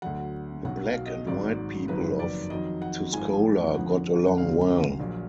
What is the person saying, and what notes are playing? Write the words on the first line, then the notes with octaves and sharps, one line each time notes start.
The black and white people of Tuscola got along well.
D2 D3 F#3 F#5
B1 B2 F#3 F#5
F5
D#5
G#1 G#2 F#3 D5
F#1 F2 D#3 F#3 B4
D5
F2 D#3 F#3 D#5
F#5
G#1 G#2 F3 G#5
F2 D3 F3 F#5
F#5
D2 D3 F#3 F5
A#1 A#2 F#3